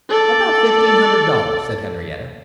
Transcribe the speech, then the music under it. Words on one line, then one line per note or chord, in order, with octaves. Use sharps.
"About fifteen hundred dollars," said Henriette.
A4 D5